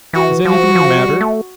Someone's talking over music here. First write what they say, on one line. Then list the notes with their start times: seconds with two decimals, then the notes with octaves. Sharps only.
'Is anything the matter?
0.13 E3 F#4
0.45 F3 F#4
0.75 F3
0.98 G3
1.21 A3